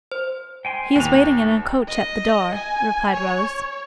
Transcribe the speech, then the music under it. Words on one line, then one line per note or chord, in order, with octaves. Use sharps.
'He is waiting in a coach at the door,' replied Rose.
C5
G5 G#5 C6
D#2 F7
D#5
G#5
C#5